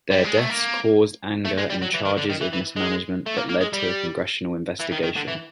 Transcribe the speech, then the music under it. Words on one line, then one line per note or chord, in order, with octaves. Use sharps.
Their deaths caused anger and charges of mismanagement that led to a Congressional investigation.
G3
G#3
A3
A#3
A3
G#3
G3
F#3
E3
D#3
D3
D#3
E3
E3
G#3
A3
A#3
A#3
G#3
G3
E3
D#3
D#3
D3
E3